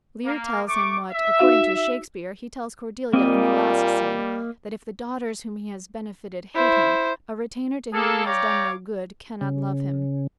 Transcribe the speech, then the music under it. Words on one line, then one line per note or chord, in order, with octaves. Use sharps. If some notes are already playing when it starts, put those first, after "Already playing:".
Leir tells him what, according to Shakespeare, he tells Cordelia in the last scene, that, if the daughters whom he has benefited hate him, a retainer to whom he has done no good can not love him.
A#3
A3 C#6 D6
E5
D#4 F#4 F5
A#2 G3 A#3 C4 D#5
E4 C5
A#3 G#4 A4
C#5 D5 F5 G5 A#5 D6
C#3